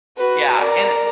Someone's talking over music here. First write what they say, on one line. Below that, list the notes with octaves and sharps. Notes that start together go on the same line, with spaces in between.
Yeah, and it
F#4 B4
A#4 D5